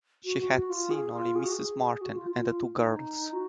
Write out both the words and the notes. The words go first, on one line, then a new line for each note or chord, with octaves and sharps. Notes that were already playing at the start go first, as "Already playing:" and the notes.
She had seen only Mrs Martin and the two girls.
F#4
F#4
F#4
F4
G#4
F4
G#4
F#4
G#4
F#4
F4
F4
F4
D#4
F#4